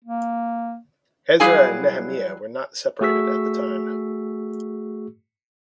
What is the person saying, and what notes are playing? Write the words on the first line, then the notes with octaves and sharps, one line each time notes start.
Ezra and Nehemiah were not separated at the time.
A#3
F#3 G3 E4 G#4 F5 G#5
A3 F#4 G#4 C#6 E6 B6